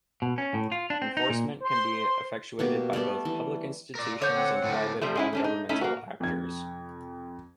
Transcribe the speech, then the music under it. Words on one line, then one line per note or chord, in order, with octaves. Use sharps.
Enforcement can be effectuated by both public institutions and private, non-governmental actors.
B2
C#4
A2
F4
D4
C4
D#4
A#2
C5 C6
B2 A#3 B3 G4
G3 A3 B3 D5
E3
A#4 D5
D3 C#5 G6
C4 F#5
A2 D3
C3 F3 G3 A3
G#3 C#4 E4
A3 C#4 D4
D#4
A3 C#4 D#4 E4
A#3 F#4
F2 G#6